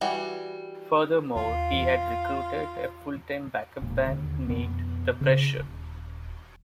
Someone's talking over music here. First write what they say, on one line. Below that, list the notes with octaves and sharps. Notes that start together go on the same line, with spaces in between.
Furthermore, he had recruited a full-time backup band, named The Pressure.
E3 G3 F#4 E5
D#2 F4
E2
E1 A#2
D#2 D3
F2 B2 B3
C#3
D#1